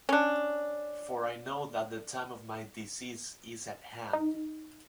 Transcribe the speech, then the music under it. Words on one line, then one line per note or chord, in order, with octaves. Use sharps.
For I know that the time of my decease is at hand.
C#4 D4
D#4